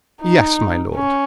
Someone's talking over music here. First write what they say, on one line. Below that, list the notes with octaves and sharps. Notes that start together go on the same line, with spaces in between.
"Yes, my lord."
D#4
C#4